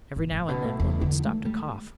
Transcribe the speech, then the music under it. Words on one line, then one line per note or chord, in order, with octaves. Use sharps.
Every now and then one would stop to cough.
G2
A2
B2
A2
E2
D3
A3
G3